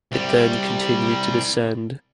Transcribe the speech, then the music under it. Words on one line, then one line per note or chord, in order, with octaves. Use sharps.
It then continued to descend.
C2 G3